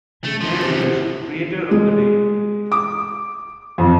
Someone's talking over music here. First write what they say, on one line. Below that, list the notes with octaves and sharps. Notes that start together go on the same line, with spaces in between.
His name means "creator of the day".
A3
F#2 F3
C3 F#5
E4
G#3
D6
F2